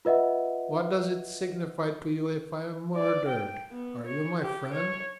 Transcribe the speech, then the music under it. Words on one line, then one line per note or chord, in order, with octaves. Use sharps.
What does it signify to you if I am murdered? Are you my friend?
F4 B4 D#5 E5 F#5
D5
G5
B3
C#5
G4
C#5